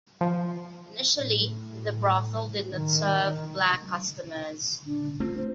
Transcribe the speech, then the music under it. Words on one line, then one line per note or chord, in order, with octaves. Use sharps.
Initially, the brothel did not serve black customers.
F3
A2
D#3
D4
A3 C4 F4
C5